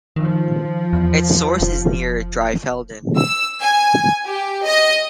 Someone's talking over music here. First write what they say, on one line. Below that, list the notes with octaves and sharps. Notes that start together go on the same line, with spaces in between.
Its source is near Dreifelden.
D#3 F3
E2
F1
E6
G#5
G4
D#5